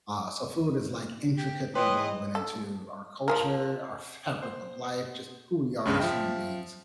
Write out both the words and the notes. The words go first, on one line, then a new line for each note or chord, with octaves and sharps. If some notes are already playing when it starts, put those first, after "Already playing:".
uh, so food is, like, intricately woven into our culture, our fabric of life, just who we are as human beings,
G4
E3 B4 C#5 D#5 G5 C6
A4
F3 G#4 A#4
C5
C#2 G2 C#3 G#3
F3 E5 G5